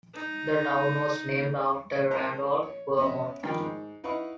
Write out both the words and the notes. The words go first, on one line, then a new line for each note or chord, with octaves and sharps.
The town was named after Randolph, Vermont.
D#4
A#4 C5 A5 A#5
C#5
B3 C#4 D#5 E5
G2 D#3 F3 A#4 G5
G#2
D#4 E4 B4 F5 F#5 C#6